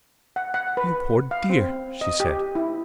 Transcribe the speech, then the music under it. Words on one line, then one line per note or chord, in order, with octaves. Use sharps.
"You poor dear!" she said.
F#5
F#5
B4
F5
C4
D#5
G4
E4